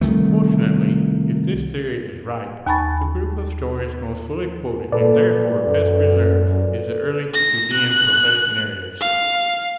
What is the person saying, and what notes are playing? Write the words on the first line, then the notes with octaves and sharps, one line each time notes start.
Fortunately, if this theory is right, the group of stories most fully quoted and therefore best preserved is the early Judean prophetic narratives.
C2 D#3 A3
D#2 G#5 A5 B5 C#6 A6
A#2 A4 B4 D5
F#2
A#6
F#6
F5